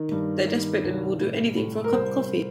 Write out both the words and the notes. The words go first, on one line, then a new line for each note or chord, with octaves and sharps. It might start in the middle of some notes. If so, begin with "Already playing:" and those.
They're desperate and will do anything for a cup of coffee.
Already playing: D#3
G2
D#3
C2
A2
A2
A#4
C2 C5